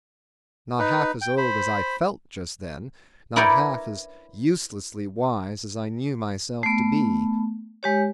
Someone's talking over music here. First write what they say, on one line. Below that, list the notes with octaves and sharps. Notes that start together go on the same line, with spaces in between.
Not half as old as I felt just then; not half as uselessly wise as I knew myself to be.
D#4 B4
G5
C5 B5
E4 A#4 B4 C#5 D5 G5
A3 B3
G#3 G4 C#5